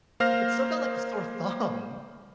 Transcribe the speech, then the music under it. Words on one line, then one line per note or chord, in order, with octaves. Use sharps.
It stuck out like a sore thumb.
A#3 C5 F5 F6 A#6